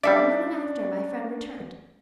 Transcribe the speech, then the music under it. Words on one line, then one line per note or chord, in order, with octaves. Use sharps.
A moment after my friend returned.
G3 C#4 D4 A4 D5 E5 F5